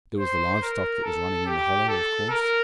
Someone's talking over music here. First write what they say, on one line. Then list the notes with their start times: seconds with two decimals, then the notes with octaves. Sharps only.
There was the live stock that was running in the Hollow, of course.
0.20 C5
0.62 A#4
1.04 A4
1.46 G4
1.88 A4
2.30 A#4